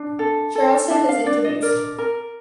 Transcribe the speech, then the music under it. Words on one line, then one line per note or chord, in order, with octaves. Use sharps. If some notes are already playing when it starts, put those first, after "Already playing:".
Charleston is introduced.
Already playing: D4 A5
A4
A4
D4 A5
F5
D4 D5
D#5
A#4 D5
A#4